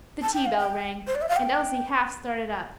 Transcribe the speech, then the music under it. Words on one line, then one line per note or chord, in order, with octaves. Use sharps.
The tea-bell rang, and Elsie half started up.
A5
G5
F5
G5
C5
D5
E5
F5
G5